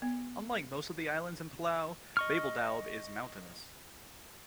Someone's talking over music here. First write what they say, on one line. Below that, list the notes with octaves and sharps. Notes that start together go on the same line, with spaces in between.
Unlike most of the islands of Palau, Babeldaob is mountainous.
B3
D#5 C#6 F6